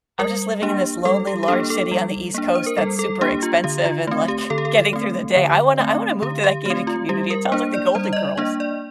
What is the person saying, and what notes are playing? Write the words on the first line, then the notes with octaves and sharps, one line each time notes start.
I'm just living in this lonely, large city on the East Coast that's super expensive and, like, getting through the day. I wanna I wanna move to that gated community. It sounds like The Golden Girls.
G3 A#4
A#3 D4 G4
G3 A4
G4
G4
A#3 D4 A4
A4
G3
A#3 D4
C5
A#4
G3 A4
A4
A#3 D4 G4
F4
D3 G4
F4
A3 C4
G4
D3 A4
G4
A4
A3 C4
D3
A3 C4
D3 G4
G4
A3 C4 G4
F4
G3 G4
A#4
A#3 D4 C5
D5
G3 C5
D#5
D5
A#3 D4 D#5
D5